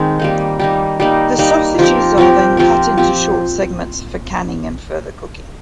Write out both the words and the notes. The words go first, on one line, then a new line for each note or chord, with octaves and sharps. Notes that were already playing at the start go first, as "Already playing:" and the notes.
The sausages are then cut into short segments for canning and further cooking.
Already playing: D#3 G#3 C4
G3 A#3 D#4
G3 A#3 D#4
G3 A#3 D#4
G3 A#3 D#4
F3 C4 G4 A#4
F3 C4 G4 A#4
F3 C4 G4 A#4
F3 C4 G4